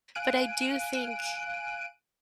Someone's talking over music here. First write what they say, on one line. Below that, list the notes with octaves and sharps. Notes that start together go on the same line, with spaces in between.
but I do think
F5 G#5 F#6 D7 D#7